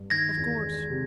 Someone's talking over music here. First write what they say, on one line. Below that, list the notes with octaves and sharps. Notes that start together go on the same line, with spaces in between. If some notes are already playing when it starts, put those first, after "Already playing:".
"Of course."
Already playing: G2
D#3 G#6 A#6
E2
G#3
C3